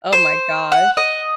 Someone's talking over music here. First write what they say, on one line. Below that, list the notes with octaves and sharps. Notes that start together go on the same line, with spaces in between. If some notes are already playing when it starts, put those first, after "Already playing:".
oh my gosh.
C5
F#5
D#5